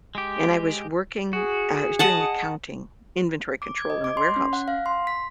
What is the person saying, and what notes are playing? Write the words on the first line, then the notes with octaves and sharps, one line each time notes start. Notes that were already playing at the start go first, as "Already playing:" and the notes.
And I was working uh, I was doing accounting, inventory control in a warehouse.
G#3 G4
F#4 G#4
D#5 F#5 A5
D6
G#6
D#5
D6
C6
C#4
F#5
F5
C6
B6